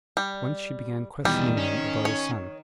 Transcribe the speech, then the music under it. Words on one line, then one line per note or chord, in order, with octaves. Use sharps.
Once she began questioning him about his son.
G3
E2 B2 D#3 G3
C#4
C#5